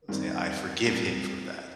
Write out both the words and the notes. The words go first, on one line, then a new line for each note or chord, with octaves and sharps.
say I forgive him for that,
G2 D#3 G3 C4
C2 C3 G3